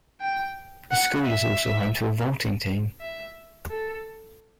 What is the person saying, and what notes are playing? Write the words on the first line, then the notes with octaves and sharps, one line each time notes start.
The school is also home to a vaulting team.
G5
F#5
E5
E5
A4